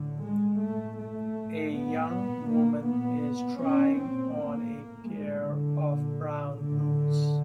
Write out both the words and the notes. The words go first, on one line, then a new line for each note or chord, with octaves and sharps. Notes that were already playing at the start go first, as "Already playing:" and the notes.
A young woman is trying on a pair of brown boots.
Already playing: A2 D3
G#3
A2 A3
A3
A2
B3
A#2
A#3
A#2 B3
A#2 C#4
C4
A2 A#3
A2 G#3
D3
A#2
A2 D3